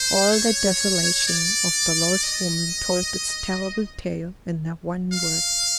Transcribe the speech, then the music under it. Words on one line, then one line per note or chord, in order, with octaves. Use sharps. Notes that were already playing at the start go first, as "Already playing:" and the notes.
All the desolation of the lost woman told its terrible tale in that one word.
Already playing: C5
C#5
D5
D#5
F5